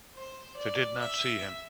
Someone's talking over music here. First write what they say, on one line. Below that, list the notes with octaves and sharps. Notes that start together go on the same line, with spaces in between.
They did not see him.
C5
D5
E5